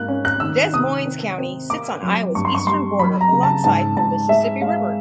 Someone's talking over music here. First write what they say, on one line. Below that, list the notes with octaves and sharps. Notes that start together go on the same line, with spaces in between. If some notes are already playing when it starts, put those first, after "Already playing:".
Des Moines County sits on Iowa's eastern border alongside the Mississippi River.
Already playing: G#2 A#3 F#6
C#4
F#6
D#3 E6
C3 D#6
C4
C4
A#3 D6
F#3
G2 C#6
C6
C#6
G3 C6
F#3 B5
A#5
C#3
A5
G#2 A5
G#2 A5
G#3 E5
G#3 F5